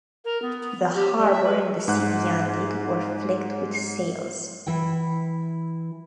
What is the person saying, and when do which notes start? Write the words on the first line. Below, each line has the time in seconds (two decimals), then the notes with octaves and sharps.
The harbour and the sea beyond it were flecked with sails.
0.25 A#4
0.42 B3
0.95 G4
1.17 G3
1.31 E5
1.44 B4
1.88 G#2 F#5 F#6
4.66 E3 E4 G5